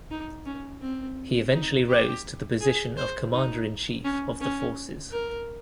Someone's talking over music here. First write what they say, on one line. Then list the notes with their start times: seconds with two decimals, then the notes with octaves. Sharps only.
He eventually rose to the position of Commander-in-Chief of the Forces.
0.11 D#4
0.46 C#4
0.82 C4
1.53 D#4
1.89 G4
2.61 G#4
2.97 C5
3.32 D#4
4.04 C#4
4.40 C#4
5.12 A#4